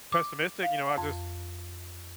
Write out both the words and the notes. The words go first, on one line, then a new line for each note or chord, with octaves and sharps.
pessimistic, you know, I just
D6
F5
F2